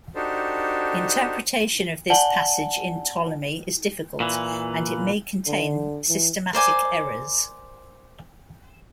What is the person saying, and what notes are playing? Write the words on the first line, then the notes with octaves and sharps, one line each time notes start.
Interpretation of this passage in Ptolemy is difficult, and it may contain systematic errors.
D4 D#4 F#4 G4 A4 C5
D5 F#5 G#5 A5 F#7 G7
A#2 E3
D3
E3
A#4 C5 D5 G#5